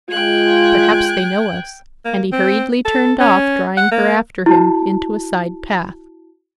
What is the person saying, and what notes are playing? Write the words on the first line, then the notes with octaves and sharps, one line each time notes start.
"Perhaps they know us!" and he hurriedly turned off, drawing her after him into a side path.
G#3 F4 G5 F#6 G#6
A#3
C4
A4
C#4
F#5
A#3
E4 F#4 A5